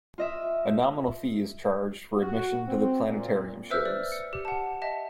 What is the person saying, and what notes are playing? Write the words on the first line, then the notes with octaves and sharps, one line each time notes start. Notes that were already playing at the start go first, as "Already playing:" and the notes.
A nominal fee is charged for admission to the planetarium shows.
F4 D#5 E5
F#4
C4
A#2
B4 C5 E5 E6 F6 G6
D5
C#7
G4
F#5 A5
D#5 E5 A5